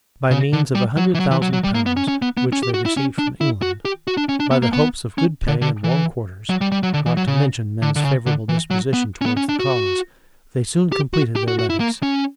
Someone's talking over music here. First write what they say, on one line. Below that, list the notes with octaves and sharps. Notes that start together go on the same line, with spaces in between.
By means of a hundred thousand pounds, which they received from England; by the hopes of good pay and warm quarters; not to mention men's favorable disposition towards the cause; they soon completed their levies.
C#3
D3
G3
F#3
E3
F#3
E3
F#3
F#3
G3
A#3
B3
C#4
C#4
B3
B3
C#4
G4
F#4
E4
C#4
D4
E4
F#4
G4
F#4
D4
C#4
D4
B3
A#3
B3
C#4
D3
D3
E3
F#3
G3
G3
F#3
D3
E3
F#3
C#3
D3
D3
C#3
D3
E3
F#3
B3
C#4
B3
C#4
D4
F#4
G4
F#4
G4
F#4
F#4
E4
A#3
C#4